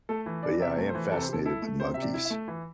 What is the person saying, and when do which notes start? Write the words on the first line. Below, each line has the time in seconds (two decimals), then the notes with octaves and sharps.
but, yeah, I am fascinated with monkeys.
0.09 A3 A4
0.26 E3
0.43 D4 D5
0.60 C3 E5
0.66 D5
0.77 A3
0.89 C5
0.95 E3
1.11 C3 A4
1.22 C5
1.29 C3 A4
1.45 E4 A4
1.62 A3
1.80 C3 C5
1.94 E5
1.97 C3 D5
2.14 E4
2.25 E5
2.30 A3
2.48 E3